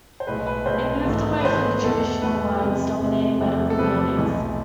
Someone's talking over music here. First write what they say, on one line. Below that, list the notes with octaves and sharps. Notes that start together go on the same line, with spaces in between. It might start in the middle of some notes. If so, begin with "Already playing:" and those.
It moved away from the traditional lines dominating medical buildings.
C5
B1 A2 G#3 B4
B4
B1 A2 G#3 C5
G#1 G#2 E3 A3
B4
G#1 G#2 E3 A3 C5
E2 B2 A3 A4
E2 B2 A3 B4
F2 C3 G#3
F2 C3 G#3
E2 C3 F3 A3
A4
E2 C3 F3 A3 B4
B1 A2 E3 G#3